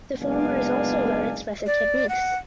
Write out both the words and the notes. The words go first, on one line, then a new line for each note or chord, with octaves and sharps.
The former is also about expressive techniques.
F#1 G#3 B3 D4 F5 G#5
D5
F#5